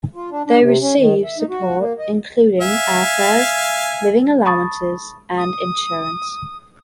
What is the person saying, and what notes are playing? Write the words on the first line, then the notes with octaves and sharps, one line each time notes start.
They receive support including airfares, living allowances and insurance.
F4
D4
D4
C3
C#4
D#3
E5
D#4
F#4
A#3
D#5
E5 F5 G#5
A5 B5 C#6 D#6 A6
D#6